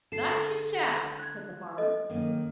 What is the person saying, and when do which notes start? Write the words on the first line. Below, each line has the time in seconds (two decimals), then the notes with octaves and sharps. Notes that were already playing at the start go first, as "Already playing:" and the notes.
'That you shall,' said the farmer.
0.12 D3 A4 C7 E7
1.19 F#6 G#6
1.78 A4 D#5
2.10 F#2 D#3 A#3